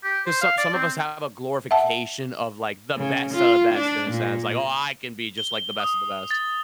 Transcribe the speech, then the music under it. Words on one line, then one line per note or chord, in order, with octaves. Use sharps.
'cause, some some of us have a glorification of, like, the best of the best in a sense, like, "Oh, I can be just like the best of the best."
G4
C5
F5
D5
C4
E5 F#5 A5
C#3
F4
D4
A#2
G7
D#6
A6